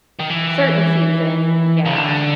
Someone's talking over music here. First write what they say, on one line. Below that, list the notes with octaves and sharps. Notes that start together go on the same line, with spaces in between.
Certain season, yeah.
D#3
E3
C#3
D3